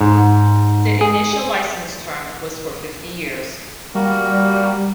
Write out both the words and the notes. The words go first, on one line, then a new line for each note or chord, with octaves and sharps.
The initial license term was for fifty years.
G#2
G#4
G3 A#3 F#4 A#4